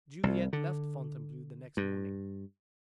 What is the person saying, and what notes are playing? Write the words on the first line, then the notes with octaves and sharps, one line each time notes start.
Juliette left Fontainebleau the next morning.
C2
D3
G2